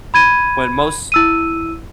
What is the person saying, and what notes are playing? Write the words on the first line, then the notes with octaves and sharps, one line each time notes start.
when most
B5 G#6 D#7
E4 E6 D#7